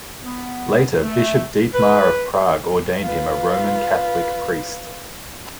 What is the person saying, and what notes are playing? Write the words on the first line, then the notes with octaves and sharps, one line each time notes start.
Later Bishop Dietmar of Prague ordained him a Roman Catholic priest.
B3
A3
B4
F4 B4